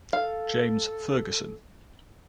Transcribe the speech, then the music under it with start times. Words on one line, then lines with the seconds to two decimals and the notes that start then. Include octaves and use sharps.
James Fergusson.
0.13 A4 F5